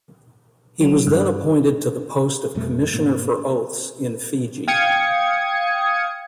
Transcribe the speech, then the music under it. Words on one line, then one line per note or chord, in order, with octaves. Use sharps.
He was then appointed to the post of Commissioner for Oaths in Fiji.
F#3
G2
F2 B2 G3 A3
G#2 B2 A#3
F5 G5 D#6 G#6 C#7